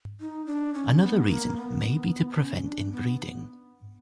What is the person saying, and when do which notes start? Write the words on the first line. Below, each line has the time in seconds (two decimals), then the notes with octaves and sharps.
Another reason may be to prevent inbreeding.
0.20 D#4
0.46 D4
0.74 C#4
1.01 B3
1.28 A#3
1.56 B3
2.37 C#4
2.64 D4
2.92 B3